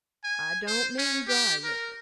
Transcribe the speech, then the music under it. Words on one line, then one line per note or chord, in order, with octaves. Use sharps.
I don't mean dry river.
G#5
C5
C#4
G4
A#4